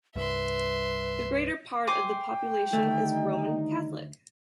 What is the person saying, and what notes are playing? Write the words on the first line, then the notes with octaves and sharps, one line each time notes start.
The greater part of the population is Roman Catholic.
C2 G2 B4 E5 C6
C5 G5 G#5 D6
D2 D#3 G3 A3 D#4